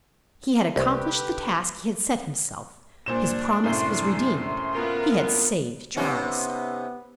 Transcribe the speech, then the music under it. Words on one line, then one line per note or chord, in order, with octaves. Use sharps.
He had accomplished the task he had set himself, his promise was redeemed, he had saved Charles.
C2 D3 G4 B4
A#2 D4 C5 E7
F#2 A2 C3 C6
B3 F4 A#4
C3 B3 C#4 D#4